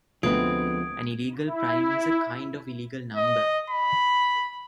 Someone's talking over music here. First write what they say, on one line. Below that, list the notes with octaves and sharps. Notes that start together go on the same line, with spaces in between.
An illegal prime is a kind of illegal number.
D2 F3 G#3 B3 C4 D#6 G#6 D7
E4
D#5
B5